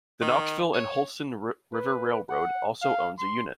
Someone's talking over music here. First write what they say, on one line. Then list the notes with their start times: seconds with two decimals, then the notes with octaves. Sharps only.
The Knoxville and Holston River Railroad also owns a unit.
0.22 D#3
0.74 C#5
1.73 B4
2.29 F#5
2.82 F5
3.19 C6